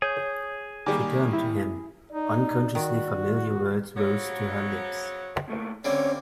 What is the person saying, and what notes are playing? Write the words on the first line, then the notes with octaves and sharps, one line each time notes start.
She turned to him; unconsciously familiar words rose to her lips.
G#4 C#5 G6
D#3 G3 A#3 G#5 D6
E4
D#4 D5
D#3 F#4
C#3 F3 F#3
B2 A3 A#3
D3 G3 A#3 C4 C#4 C#5